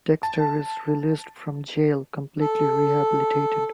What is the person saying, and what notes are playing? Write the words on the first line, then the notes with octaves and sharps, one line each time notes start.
Dexter is released from jail, completely rehabilitated.
A5
A4